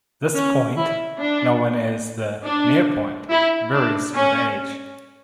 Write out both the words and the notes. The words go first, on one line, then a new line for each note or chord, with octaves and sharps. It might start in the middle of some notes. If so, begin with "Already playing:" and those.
This point, known as the "near point", varies with age.
C#4
E4
D4
D4
E4
D4
C#4